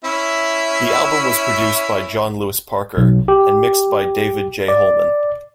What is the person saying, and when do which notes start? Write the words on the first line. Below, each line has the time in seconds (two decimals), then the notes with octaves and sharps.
The album was produced by John Lewis Parker, and mixed by David J. Holman.
0.04 C#4 E4 E5
2.97 B1
3.28 G4
4.68 D5